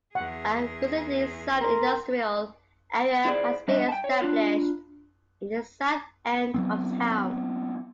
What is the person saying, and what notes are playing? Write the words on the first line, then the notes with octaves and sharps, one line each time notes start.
A recently zoned industrial area has been established in the south end of town.
E2 G#4 F#5
A#4 A#5 C6
E4 G#4 C5 D5
G3 D4 D#5 E5
G5 A5
C#5
D4 F4
F#3 B3 C4